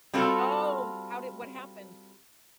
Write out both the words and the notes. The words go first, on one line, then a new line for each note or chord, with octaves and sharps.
Oh, how did what happened?
G3 C4 F4 F#4 A4